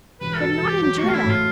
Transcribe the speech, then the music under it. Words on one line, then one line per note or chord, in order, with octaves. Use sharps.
I could not endure that.
E1 B4
A4
B2
A4
E1 G4
F#3 G4
F#4
A3 F4
E4
A2
F4